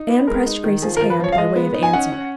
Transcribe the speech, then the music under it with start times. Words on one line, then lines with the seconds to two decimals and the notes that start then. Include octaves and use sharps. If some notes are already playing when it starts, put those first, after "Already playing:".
Anne pressed Grace's hand by way of answer.
Already playing: D#4
0.09 B3
0.27 G#3 A#4
0.46 D#4
0.64 D#3
0.82 F3 G#4
0.97 A#4
1.01 F3
1.10 B4
1.20 F3 C#5
1.32 F5
1.38 G#3 D#5
1.56 B3
1.74 D#4
1.83 G#5
1.93 C#4 F#5
2.12 C#4